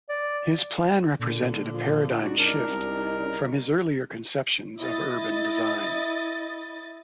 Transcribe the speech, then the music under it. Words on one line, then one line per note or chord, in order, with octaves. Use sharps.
His plan represented a paradigm shift from his earlier conceptions of urban design.
D5
A#2 D3
F3
C#2 D#4 F#4 D5
D4 A#4
C2
C#3
E4 D#5 A6